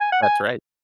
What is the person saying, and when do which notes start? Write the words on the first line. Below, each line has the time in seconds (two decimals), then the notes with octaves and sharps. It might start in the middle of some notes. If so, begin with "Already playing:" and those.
That's right.
0.01 G#5
0.12 F#5
0.22 G#5